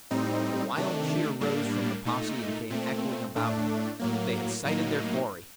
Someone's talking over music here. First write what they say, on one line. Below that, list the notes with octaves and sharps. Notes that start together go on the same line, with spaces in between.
A wild cheer rose from the posse and came echoing about him; they had sighted their quarry.
A2 G3 C4 D#4
C3 D#3 A3 D4
A2 G3 A#3 D4
A#2 A3 D#4
A#2 A3 C4
A2 A3 D4
A2 F#3 A#3
A2 F#3 A#3 D#4